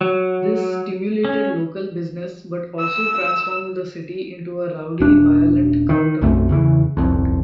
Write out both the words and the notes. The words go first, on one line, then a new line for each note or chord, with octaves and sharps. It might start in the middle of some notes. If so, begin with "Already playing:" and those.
This stimulated local business but also transformed the city into a rowdy, violent cowtown.
F#3
C#4
E6
D#1 D4
D#3
B1 F#2 C3 A3
E2 C#3 E3
D#1 C2 F2